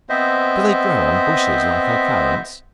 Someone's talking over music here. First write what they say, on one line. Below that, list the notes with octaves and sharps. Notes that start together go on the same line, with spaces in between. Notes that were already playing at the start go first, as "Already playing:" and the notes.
Do they grow on bushes like our Currants?
B3 C4 C5 D#5 E5